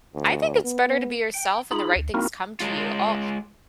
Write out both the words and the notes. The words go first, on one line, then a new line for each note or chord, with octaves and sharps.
I think it's better to be yourself and the right things come to you. Oh,
D2
B3
G5
D#4 F4 G#4 B5
D2
A#3 C4 D#4 E4 F#4 A#4
G#3 F4